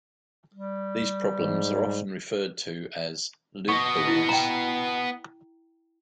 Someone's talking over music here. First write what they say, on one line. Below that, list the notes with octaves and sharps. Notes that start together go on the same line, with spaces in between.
These problems are often referred to as "loopholes".
G3
G#2
B3 D#5 C#6
E4
G5 A#5